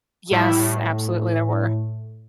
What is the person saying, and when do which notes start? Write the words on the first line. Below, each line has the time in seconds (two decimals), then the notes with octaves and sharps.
Yes, absolutely there were,
0.31 A2 G3 E4
0.59 A2